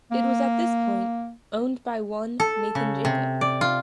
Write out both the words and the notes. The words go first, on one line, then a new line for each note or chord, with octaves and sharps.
It was at this point owned by one Nathan Jacob.
A#3
A4
C#3
C3
D5
F4